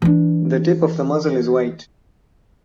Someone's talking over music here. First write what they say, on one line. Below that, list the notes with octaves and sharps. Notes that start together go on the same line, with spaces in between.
The tip of the muzzle is white.
E3 D4